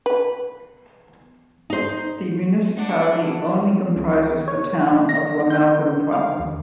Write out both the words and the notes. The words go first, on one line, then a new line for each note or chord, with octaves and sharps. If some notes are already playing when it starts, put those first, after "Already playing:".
The municipality only comprises the town of Wommelgem proper.
B4
D#4 C5
D4 F#5
C#2
C#5
A#6
G6
F5
D#2